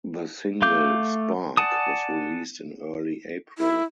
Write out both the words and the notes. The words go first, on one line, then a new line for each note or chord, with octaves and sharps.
The single "Spark" was released in early April.
A3 F5 D6 G6
D5 F#5 G#5 A5 D#6
E4